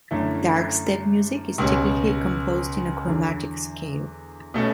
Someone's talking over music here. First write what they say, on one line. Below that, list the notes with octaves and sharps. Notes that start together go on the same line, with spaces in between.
Darkstep music is typically composed in a chromatic scale.
F#2 D3 A3 C#4 E4
C#2 B2 G3 C#4
E2 D3 F#3
B2 A3 C#4